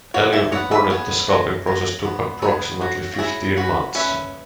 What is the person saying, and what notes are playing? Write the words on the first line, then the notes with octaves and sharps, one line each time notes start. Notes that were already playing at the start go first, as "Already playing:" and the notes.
Elliott reported the sculpting process took approximately fifteen months.
F#3 C#5 F#5
E5 G#5
B3 C#5 F#5
B4 E5
B3 G#4 C#5
F#3
F#3
B3
B3 G#4 C#5
F#3 F#4
F#4
F#3 E4 G#4
C#4 F#4 B4
C#4 B4 E5